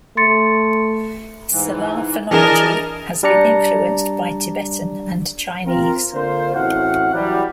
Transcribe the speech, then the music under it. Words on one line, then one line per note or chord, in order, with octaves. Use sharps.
Salar phonology has been influenced by Tibetan and Chinese.
A3 C6 A6 C#7
G#2 E3
E3 D4 G#4 A#4 D#5 A5 F6
G3 D4 D5 A#5 C#7
C4 F4 A#4
D3 A#3 D4 F4 C5
A1 A2 C4 F#4 F5 F#5
E3 F#3 G3